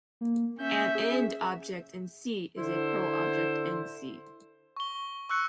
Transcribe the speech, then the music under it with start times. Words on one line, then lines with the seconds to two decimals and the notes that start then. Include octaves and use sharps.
An ind-object in "C" is a pro-object in "C".
0.21 A#3
0.59 C#4 E5 G6
0.95 G#4
2.57 D3 E4 C5
4.77 C#6 G7
5.30 C#6 E6 F#6 C#7